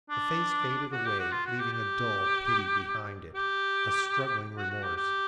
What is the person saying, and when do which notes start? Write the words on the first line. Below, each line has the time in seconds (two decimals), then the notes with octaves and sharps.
The face faded away leaving a dull pity behind it, a struggling remorse.
0.10 D4
0.92 F#4
1.05 G4
1.19 F#4
1.31 F4
1.45 F#4
1.59 G4
1.72 G4
3.35 G4
4.57 F#4
4.70 F#4
4.83 G4
4.97 G4